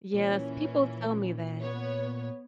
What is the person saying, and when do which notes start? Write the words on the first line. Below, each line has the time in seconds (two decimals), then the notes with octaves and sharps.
Yes, people tell me that.
0.14 A#2 E3 C#4
1.62 B3 C#5